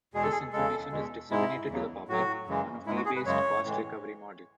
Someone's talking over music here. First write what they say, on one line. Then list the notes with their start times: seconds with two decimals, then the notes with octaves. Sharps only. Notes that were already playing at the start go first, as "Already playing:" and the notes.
This information is disseminated to the public on a fee-based cost-recovery model.
0.14 E2 B2 G#3 G#4
0.23 A4
0.32 G#4
0.53 E2 C#3 G#3 A4
0.92 E2 B2 G#3
1.31 G#2 G#3 E4
1.70 E2 C#3 F#3
2.08 A2 F#3 F#4
2.47 F#2 C#3 E3 G#3
2.86 G#2 G#3 E4
2.96 F#4
3.06 G#4
3.16 B4
3.25 F#2 C#3 G#3 C#5
3.64 A2 E3 G#3